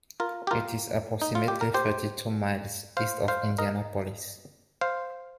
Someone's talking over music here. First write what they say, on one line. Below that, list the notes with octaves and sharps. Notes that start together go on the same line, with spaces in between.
It is approximately thirty-two miles east of Indianapolis.
F4 A#4
G4
F4 A#4
D#4
F4
G4
A#4
G4 C5
C5 F5
C5 F5
A#4 D#5
C5 F5